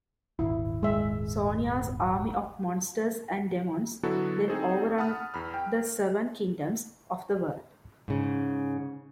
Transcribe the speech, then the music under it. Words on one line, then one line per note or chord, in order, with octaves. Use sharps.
Sonia's army of monsters and demons then overrun the seven kingdoms of the world.
D#1 G#1 E4
G#3 E5
D3 F#3 B3 E4 F#4 A4
C4 D#4 G#4 A4 C5
F#5 A5 B5 D#6 F6
E2 B5 F6
G5
G#2 C#3